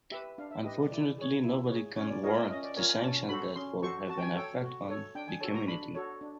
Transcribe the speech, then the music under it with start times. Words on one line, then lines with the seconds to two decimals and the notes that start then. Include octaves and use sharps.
Unfortunately, nobody can warrant the sanctions that will have an effect on the community.
0.11 G4 B4 E5
0.38 D4 F5
0.51 E5
0.64 G4 B4 D#5
0.78 D5
0.91 E4 D5
1.18 G#4 C#5
1.44 E4
1.71 G#4 C#5
1.97 C#4 C#5
2.10 D5
2.23 F4 A#4 C#5 D#5
2.36 E5
2.50 C#4 D#5
2.63 D5
2.76 F4 A#4 C#5 G#5
2.89 G#5
3.03 C#4 A5
3.29 F#4 A4 C5 B5
3.56 C#4 C6
3.82 F#4 A4 C5 C#6
4.09 F#4 A5
4.18 G5
4.22 G#5
4.35 A4 C#5 G5
4.62 F#4
4.89 A4 C#5
5.15 D4 G5
5.28 G#5
5.41 F#4 A4 C#5 A5
5.55 A#5
5.68 D4 B5
5.95 F#4 A4 C#5
6.21 D4